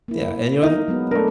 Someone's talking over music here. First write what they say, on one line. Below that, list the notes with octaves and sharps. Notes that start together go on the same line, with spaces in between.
Yeah, and, you know, the
A#3 E4
D#4 A#4
F#3 G#3 B3
A3 D4 A#4